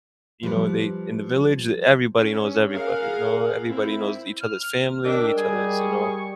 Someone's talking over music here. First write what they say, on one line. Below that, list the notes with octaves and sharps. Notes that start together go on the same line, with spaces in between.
you know, they, in the village, everybody knows everybody, you know? Everybody knows each other's family, each other's, you know,
F3 G3 B4
C#4
G#4 A#4 F5 F#5
C4 E4
F6
D4 A#4 D#5 G5 E6
G3 G#4 G#6
C#6